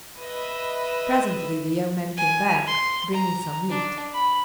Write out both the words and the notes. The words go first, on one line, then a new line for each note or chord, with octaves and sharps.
Presently the young man came back, bringing some meat.
B4 D#5 E5
G#5
C6
A#5
D4
B5